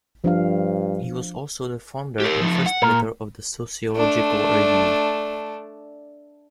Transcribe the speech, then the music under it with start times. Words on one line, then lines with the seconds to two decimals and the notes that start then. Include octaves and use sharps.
He was also the founder and first editor of "The Sociological Review".
0.24 G2 F3 D4 F5
2.20 G4 A#4
2.41 F3 D#4
2.66 F#5
2.82 A#2 A#4
3.92 A3 D4